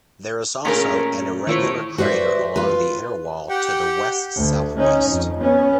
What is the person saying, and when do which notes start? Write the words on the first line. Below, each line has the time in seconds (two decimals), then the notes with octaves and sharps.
There is also an irregular crater along the inner wall to the west-southwest.
0.65 A#2 A3 C#4 G#4 A#4
1.47 D#3 A3 E4 F4 C5 C#5
1.98 F#4 B4 C5 D5 E5
2.56 F4 B4
3.50 G4 F#5 G5
4.36 D2
4.78 C#4 D#4
5.09 F2
5.40 B3 C#4